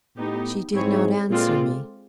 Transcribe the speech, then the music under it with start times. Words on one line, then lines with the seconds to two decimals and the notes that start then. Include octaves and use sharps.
She did not answer me.
0.16 A2 B3 D#4 G4
0.73 G#2 C4 E4 G#4 C#5
1.30 A#2 G#3 C4 F4 A4 D5